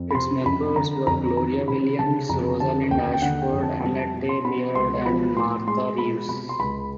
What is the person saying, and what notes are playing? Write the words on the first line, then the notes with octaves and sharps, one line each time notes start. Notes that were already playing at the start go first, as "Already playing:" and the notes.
Its members were Gloria Williams, Rosalind Ashford, Annette Beard and Martha Reeves.
Already playing: F2
B5
C3 C6
F2 B5
D3 A#5
F2 A#5
D#3 A#5
C3 B5
C#3 A5
F2 A#5
D3 A5
D#2 G5
G5
D3 F#5
G5
F2
A5
G3 A5
A5
B2
C6
B2 B5
C#2 C6
F3 B5
A2 C6
G#3 C6
B2 B5
C3 B5
C6
C#2 B5